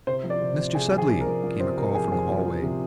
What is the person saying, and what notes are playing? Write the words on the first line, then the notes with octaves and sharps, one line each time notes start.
"Mr. Sudley!" came a call from the hallway.
C3 C5
F3
D5
C3
C3
C3 G#4
F3
G#4
F3
A#4
F3
F3
C3 C5
C3 A#4
F3 G#4
F3 G#4
F3
F3
C3